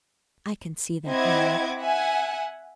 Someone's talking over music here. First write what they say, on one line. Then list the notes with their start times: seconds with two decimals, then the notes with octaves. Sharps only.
I can see that now.
1.09 C4 E4 D#5 F#5 D6 G#6
1.81 E5 F#5 G#5